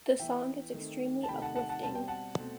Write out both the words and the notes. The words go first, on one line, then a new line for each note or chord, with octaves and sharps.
The song is extremely uplifting.
E3 B3 E5 G5
D#3 A3 C4
A5
C3 D#3 A3 G5 B5
F#5 A5
F#5 A5
F#5 A5
B2 G3 C4 A5
G5
F#5 A5
B2 A3 C4